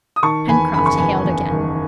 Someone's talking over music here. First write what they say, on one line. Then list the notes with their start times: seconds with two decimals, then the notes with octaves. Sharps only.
Pencroft hailed again.
0.16 D#6
0.22 D#3 A5 C#6
0.48 E2 G#5 B5
0.74 F#1 B5
0.86 C#6
0.97 E2 G#5 B5
1.25 E2
1.51 D#3